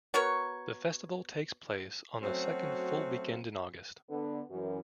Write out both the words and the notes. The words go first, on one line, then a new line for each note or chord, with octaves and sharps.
The festival takes place on the second full weekend in August.
B3 F#4 A#4 C#5
F#3 A3 C4 C#4 F#4
D3 B3
F#2 E3